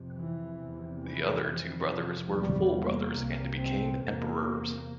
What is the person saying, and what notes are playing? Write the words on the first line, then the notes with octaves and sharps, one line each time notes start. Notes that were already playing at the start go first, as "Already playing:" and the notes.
The other two brothers were full brothers and became emperors.
Already playing: F2 C3
E3
E2 C3
E3
F2 C3
F3
E2 C3 G3
A#3
C2 C3
C4
E2 C3 A#3